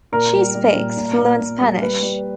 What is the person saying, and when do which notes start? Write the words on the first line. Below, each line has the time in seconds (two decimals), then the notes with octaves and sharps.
She speaks fluent Spanish.
0.12 A#2 A#4
0.33 G3
0.55 G3
0.76 A#2
0.97 A#2
1.18 A#2
1.39 A#2
1.61 G3
1.81 G3 B4
2.03 G3